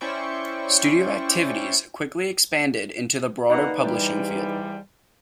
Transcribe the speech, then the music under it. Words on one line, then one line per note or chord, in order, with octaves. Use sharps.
Studio activities quickly expanded into the broader publishing field.
C#4 E4 C5 D5 G5 C#6
A#3 D#4 F#4 B4 D5 F#5
G#2 E3 G3